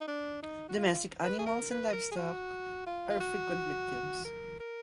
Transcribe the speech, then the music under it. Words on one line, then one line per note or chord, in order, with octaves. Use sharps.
Domestic animals and livestock are frequent victims.
D#4
D4
D#4
F#4
F4
B4
G#4
A#4
B4
A#4
G#4
F#4
F4
F4
F#4
A#4
A#4